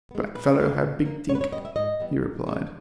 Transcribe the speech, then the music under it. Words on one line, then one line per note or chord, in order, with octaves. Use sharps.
"Black fellow hab big tink," he replied.
G#3 B3
A#2 B4
G3 A#3
A#2
A#3
B2 C#5
B4
C#5
G3 B3 D#5
E5
G#2 D#5
E3 G3 B3
A#2
G#3 B3